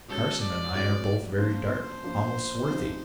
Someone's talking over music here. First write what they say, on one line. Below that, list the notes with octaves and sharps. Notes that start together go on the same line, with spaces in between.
Carson and I are both very dark, almost swarthy.
B2 G#3 C#4 A4
D5
B2 G#3 C#4 D5
F3 A#3 D4 F4 C5
F3 A#3 D4 F4
F3 A3 C4 D#4 G#4